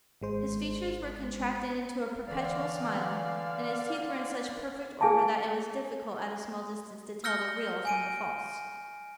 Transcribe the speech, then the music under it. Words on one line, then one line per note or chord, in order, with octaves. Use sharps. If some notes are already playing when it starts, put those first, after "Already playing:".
His features were contracted into a perpetual smile; and his teeth were in such perfect order that it was difficult at a small distance to tell the real from the false.
G#1 G#3 C5
D3 E3 D5 F5
G#4 G#5 A5
E6 F6 G6 A#6 C#7 G7
G#5 D7 D#7